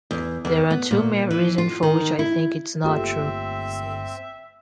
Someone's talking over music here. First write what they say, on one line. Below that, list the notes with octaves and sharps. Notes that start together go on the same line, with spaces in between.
"There are two main reason for which I think it's not true," he says.
E2
E2
B3
A#2
E3
F4
D#3
E4
G1 A3 A#3 C4 F4 G4 A4 E5